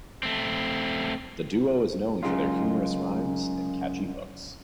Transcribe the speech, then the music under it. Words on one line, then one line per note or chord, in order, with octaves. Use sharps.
The duo is known for their humorous rhymes and catchy hooks.
A3 C4
F#2 C#3 G#3 D#4 F4